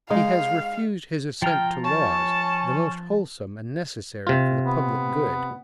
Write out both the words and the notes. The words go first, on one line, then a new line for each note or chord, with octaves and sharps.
He has refused his Assent to Laws, the most wholesome and necessary for the public good.
G#3 D#4 F5
F3 G5 A#5 F6
C#4 A5
C3 F4
B3